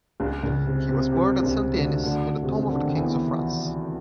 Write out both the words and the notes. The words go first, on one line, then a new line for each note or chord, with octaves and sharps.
He was buried at Saint-Denis in the tomb of the Kings of France.
C#2 C#3
C#2 C#3
C3
C3
C3
C#2 C#3
D2 D3
D2 D3
C3
C#3
D3
D#3
E2 E3